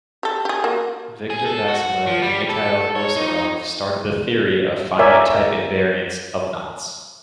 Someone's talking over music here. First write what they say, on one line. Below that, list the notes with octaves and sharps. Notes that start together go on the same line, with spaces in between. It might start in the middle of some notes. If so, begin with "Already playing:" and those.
Viktor Vassiliev and Mikhail Goussarov started the theory of finite type invariants of knots.
G4 A4
G4 G#4
A#3 F#4
G#4
A4
F#4
F3
G3
A4
C#5
D#4
A#4 C#5 D5 E5 G#5